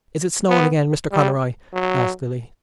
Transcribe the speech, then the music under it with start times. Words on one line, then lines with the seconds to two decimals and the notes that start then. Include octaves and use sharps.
"Is it snowing again, Mr. Conroy?" asked Lily.
0.49 B3
1.12 G3
1.73 F#3